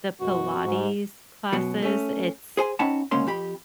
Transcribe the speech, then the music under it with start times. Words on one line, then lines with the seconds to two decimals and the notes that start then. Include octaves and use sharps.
the Pilates classes, it's
0.21 F#2 B2 F#4
0.64 G#2
1.53 F#2 B2 F#3
1.82 A3 C#4
2.57 G#4 C5 G#5
2.79 C4 C#4 D#4 F#5 A5 B5
3.11 D2 G#2 C#3 A#3 C#4 C6
3.27 F2 G4 B5